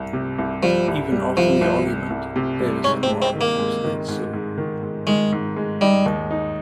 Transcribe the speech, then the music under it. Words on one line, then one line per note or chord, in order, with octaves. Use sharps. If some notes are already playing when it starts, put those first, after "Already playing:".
Even after the argument Davis and Marz have stayed civil.
Already playing: C2
C3
C2
F3 G3
C2
G3
C2 F3
C2
C3
C2
C3
G3
G#2 C#4
C4
G#3
C4
D#3
A#3
G#3
D#3
G#2
G#2
D#3
G#2
D#3 G#3
G#2
G#3
G3 D#4
D#2
D#4